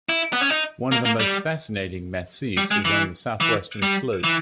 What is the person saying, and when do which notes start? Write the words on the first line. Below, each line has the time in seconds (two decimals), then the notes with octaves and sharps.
One of the most fascinating massifs is on the southwestern slope.
0.09 E4
0.33 B3
0.41 C#4
0.50 D#4
0.92 A#3
1.05 A#3
1.20 G3
2.57 G3
2.71 G#3
2.85 E3
3.40 E3
3.82 G3
4.24 E3